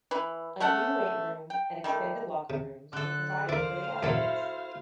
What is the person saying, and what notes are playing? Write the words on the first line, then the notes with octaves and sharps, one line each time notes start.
A new weight room and expanded locker rooms were provided for the athletes.
E3 B4
A3 C#4 F#5 A5
G5
D#3 G3 A3
C3
D3 A4 F#6
E4 A#4 C5 D5 F5
F#2 A#2 F#3 E4 F#4 A4